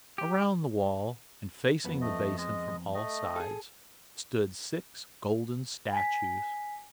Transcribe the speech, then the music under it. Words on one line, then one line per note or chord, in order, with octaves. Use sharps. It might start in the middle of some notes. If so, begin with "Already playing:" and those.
Around the wall, and facing the basin from all sides, stood six golden statues.
G4
F2 B3
A3 D#5
G#3 D#5
A3 D#5
G#4 A4
G#5 B6